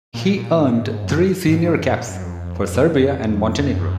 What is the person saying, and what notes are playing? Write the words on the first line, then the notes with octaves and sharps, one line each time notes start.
He earned three senior caps for Serbia and Montenegro.
A#2
A#2
G#2
A#2
G#2
F#2
G#2
G#2
F#2
A#2
F#2
F2
F#2
F2
F#2
F2
F2
F#2